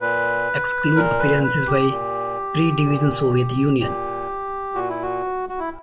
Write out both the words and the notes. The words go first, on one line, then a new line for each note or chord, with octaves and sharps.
Excludes appearances by pre-division Soviet Union.
A#2 B4
A#2 A#4
B4
B4
G4
A#2
A#2
A#2 G4
A#2 F#4
E4
F#4
F#4
E4